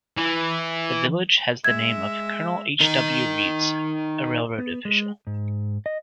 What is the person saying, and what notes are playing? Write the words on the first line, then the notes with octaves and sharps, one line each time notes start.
The village has the name of Colonel H. W. Rives, a railroad official.
E3
G#3 E5 G#6
D#4 A#4
B3
G#3
G#2
D#5